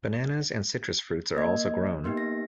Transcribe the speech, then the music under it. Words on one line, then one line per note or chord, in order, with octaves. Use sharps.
Bananas and citrus fruits are also grown.
A#3 D#5 G#6
A#3 B3 D#4 G4
A#6